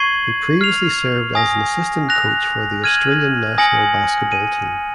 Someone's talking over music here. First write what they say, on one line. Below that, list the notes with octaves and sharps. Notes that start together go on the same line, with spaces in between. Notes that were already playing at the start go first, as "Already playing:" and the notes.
He previously served as an assistant coach for the Australian national basketball team.
Already playing: C#6 G#6 C7 D#7 F#7
F6 C7 F7
G#5 D#6 A#6
F#6 A#6 F7
F6 G#6 D#7 F#7
G#5 D#6 A#6 C#7 F#7
D#7